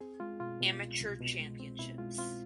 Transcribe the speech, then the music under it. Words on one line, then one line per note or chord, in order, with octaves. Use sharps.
Amateur championships.
C4 G#4
G#3 F4
B2 F4
B2
C2
C2
B2
G#3
C4
B2 E4
G#3 F4
C4 F4